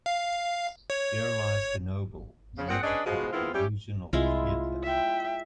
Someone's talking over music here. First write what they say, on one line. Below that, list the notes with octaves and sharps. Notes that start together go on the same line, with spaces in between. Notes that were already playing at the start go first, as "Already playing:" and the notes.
Here lies the noble, magical illusion of theater.
F5
C#5
C#3 F3
A#2 C4 G#4 F#5
C#4 D4 G#4 B4 D5 D#5
B2 F3 G#3
D#3 G#3 B3 C4 E4 F4
G3 C#4 E4 G4
C2 G#3 E4 F4
E5 G5